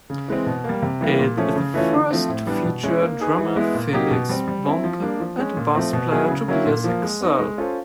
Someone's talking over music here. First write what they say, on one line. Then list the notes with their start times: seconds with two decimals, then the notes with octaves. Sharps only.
It is the first to feature drummer Felix Bohnke and bass player Tobias Exxel.
0.10 C#3
0.28 E3 G#3 C4
0.46 B2
0.64 G3 A#3
0.82 C3
1.01 E3 G3 A#3
1.19 A#2
1.37 F3 A3 C#4
1.56 C#3
1.74 E3 A3 C#4 F4
1.92 D3
2.11 F3 A3 C4
2.29 A2
2.47 E3 G3 B3 D4
2.65 B2
2.83 G#3 C#4 E4
3.01 A#3
3.20 D#4 G#4 B4
3.38 E3
3.56 G#3 B3 E4
3.75 A#2
3.93 F#3 A#3 D#4 G4
4.11 B2
4.29 G3 C4
4.48 G3
4.65 C4 E4
4.84 F3
5.02 A#3 D4
5.20 F3
5.38 G#3 C#4
5.57 A#2
5.75 F3 A3 C4
5.93 B2
6.12 F#3 B3 E4 G#4
6.29 C#3
6.48 F#3 A#3 C#4 E4
6.66 A#2
6.84 F3 A#3
7.03 G#3
7.21 B3 D#4
7.39 G#3
7.58 C#4 F4 A4 C5